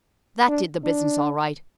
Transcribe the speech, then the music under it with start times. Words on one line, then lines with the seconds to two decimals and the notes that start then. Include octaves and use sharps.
That did the business, all right.
0.48 D4
0.85 D4